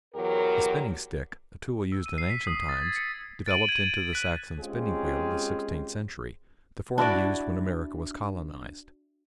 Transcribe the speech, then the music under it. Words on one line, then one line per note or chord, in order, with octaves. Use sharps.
The spinning-stick, a tool used in ancient times, developed into the Saxon spinning-wheel of the sixteenth century, the form used when America was colonized.
E2 F#3 G4 A#4
E6
D#7
C7
B6
D#6
A6
G#6
C#7
A6 D7 D#7 F#7
G#6 D#7
F#6 B6
G#3 C4 C#4 F4 G4 G#4
D4 E4 F#4 D5